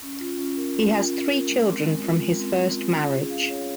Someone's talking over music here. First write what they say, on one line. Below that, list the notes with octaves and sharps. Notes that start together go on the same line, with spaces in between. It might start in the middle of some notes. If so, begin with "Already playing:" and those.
He has three children from his first marriage.
C#4
F4
C#4
A#4
C#4
F4
C#4
A#4
G#3
C4
G#3
F4
G#3
C4
G#3
F4
C#4
G#4
F5
C#5